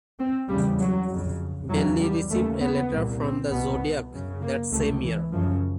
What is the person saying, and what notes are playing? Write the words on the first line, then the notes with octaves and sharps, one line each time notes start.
Belli received a letter from the The Zodiac that same year.
C4
E2 C#3 G3
F#3
F2
C#3
E2 C#3 F#3
G3
D#2 C#3 A3
B3
C2 A#2
C4
C2 B2 B3
F#2 C#3
A#3
C#2 C3 A3
E3
F#2 C#3 F3